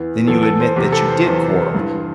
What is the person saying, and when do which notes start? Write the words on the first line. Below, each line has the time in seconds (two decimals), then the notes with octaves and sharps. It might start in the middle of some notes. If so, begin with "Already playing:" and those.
"Then you admit that you did quarrel?"
Already playing: E2 E3
0.27 E2 E3 A4
0.43 A4
0.60 C5
0.76 E2 C3 E3 G4
0.92 A4
1.09 C5
1.26 E2 C3 E3
1.75 G2 E3